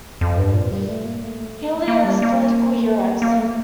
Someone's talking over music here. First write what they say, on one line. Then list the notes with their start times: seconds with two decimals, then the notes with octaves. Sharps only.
Healy as political heroes.
0.21 F2
0.38 G2
0.54 A#2
0.72 G3
0.88 A3
1.05 A#3
1.21 A3
1.72 A#3
1.88 A#3
2.04 G3
2.22 A#3
3.22 A#3
3.38 A3